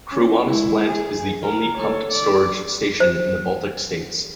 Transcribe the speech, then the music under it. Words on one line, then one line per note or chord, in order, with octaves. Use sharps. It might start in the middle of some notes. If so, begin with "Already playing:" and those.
Kruonis Plant is the only pumped-storage station in the Baltic states.
C#4
G#3 E4
G#4
A#4
A4 C#5
D5
C5